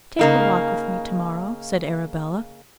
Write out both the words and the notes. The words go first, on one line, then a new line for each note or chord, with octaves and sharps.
"Take a walk with me to-morrow," said Arabella.
C#3 A#3 D#4